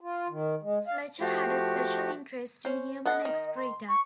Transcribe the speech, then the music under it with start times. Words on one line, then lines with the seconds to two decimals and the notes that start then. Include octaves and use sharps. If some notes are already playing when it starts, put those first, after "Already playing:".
Fletcher had a special interest in human excreta.
0.01 F4
0.29 D#3
0.62 G#3
0.88 F5
1.20 F3 A3 F#4 G4
2.65 C#4 C5
3.06 B3 A4 D#5 F#5
3.25 D#3
3.55 C6
3.88 C#6